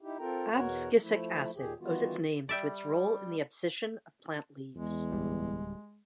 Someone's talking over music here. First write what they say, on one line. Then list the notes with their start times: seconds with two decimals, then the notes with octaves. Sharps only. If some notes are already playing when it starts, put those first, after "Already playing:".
Abscisic acid owes its names to its role in the abscission of plant leaves.
0.01 D#4 E4 G4
0.19 C4 F4 A4 A#4 G5 A#5
0.54 E2 B2 F#4 A#4 C#5 F#5
1.01 F3 A3 E4
1.56 D#2 A#2 D#3 G4 G#4
1.80 D#3 E3 G3 B3 F4 F#4
2.49 G3 D5 E5 G5
4.75 E2 G#3
5.12 D1 D#2 G3